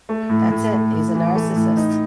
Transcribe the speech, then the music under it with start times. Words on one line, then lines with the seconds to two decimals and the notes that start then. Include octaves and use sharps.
That's it, he's a narcissist.
0.09 A3
0.29 A2
0.51 A2
0.72 A3
0.93 A2
1.14 E3
1.35 A3
1.56 A2
1.77 D#4